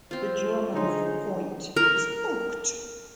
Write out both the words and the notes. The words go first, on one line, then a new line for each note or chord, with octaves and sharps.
The German for point is Punkt.
C4 F4 C5
D3 D#4 G#4 C#5 C6
A#4